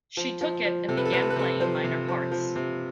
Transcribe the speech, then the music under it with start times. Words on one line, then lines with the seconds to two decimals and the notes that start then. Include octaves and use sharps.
She took it and began playing minor parts.
0.17 F3
0.41 F3
0.65 F3
0.88 C3 A4
0.97 B4
1.05 A4
1.12 C3 B4
1.22 A4
1.30 B4
1.36 C3 A4
1.60 F3 C5
1.84 C3
2.08 F3
2.32 F3
2.56 C3